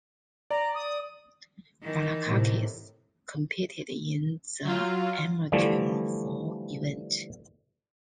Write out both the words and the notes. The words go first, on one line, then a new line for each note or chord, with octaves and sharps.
Balakakis competed in the amateur foil event.
D5 A#5
D#6
D#3 E3
A2 C3
F#3 F4
D3 E3 F3 G3 A3